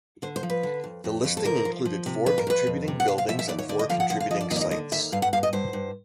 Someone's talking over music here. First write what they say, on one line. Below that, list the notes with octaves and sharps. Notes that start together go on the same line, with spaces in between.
The listing included four contributing buildings and four contributing sites.
D3 C5
C5
F3
B4
D3
F2
F2
F2
A4
D3 A#4
F3
F3
C3
F2 B4
A#4
F2 B4
F2
C3
F#5
C3 F5
F5
F3 E5
E5
D#2 D5
C#5
D3 D5
D#5
F3 F5
F#5
D3 F#5
F5
F3 D#5
D5
D#2 D#5
D5
D#5
D3 D#5
D#2 E5
G2 F5
F#5
G2 F5
D#5
G2 C5
G2